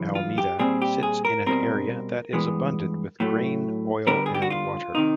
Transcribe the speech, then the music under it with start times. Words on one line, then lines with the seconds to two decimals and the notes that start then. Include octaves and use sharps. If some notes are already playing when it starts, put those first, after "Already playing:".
Alameda sits in an area that is abundant with grain, oil and water.
Already playing: F#2 C#3 E3
0.15 F4
0.38 G4
0.59 A#2 G3 C4 G#4
0.82 G4
1.03 G#4
1.25 A#4
1.46 B2 G3 C4 A#4
2.33 G2 E3 G#3 B3
3.20 A2 F#3 A3
4.07 D3 G3 B3 D4 A#4
4.26 G#4
4.35 G4
4.42 F#4
4.50 F4
4.95 C3 D#3 D#4